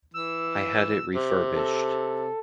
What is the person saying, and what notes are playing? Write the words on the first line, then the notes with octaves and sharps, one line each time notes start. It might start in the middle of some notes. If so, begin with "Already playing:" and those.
I had it refurbished.
E3 E6
C3
A4